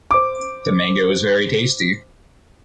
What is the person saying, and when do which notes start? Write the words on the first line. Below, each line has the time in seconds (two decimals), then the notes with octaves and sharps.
The mango was very tasty.
0.11 C5 D6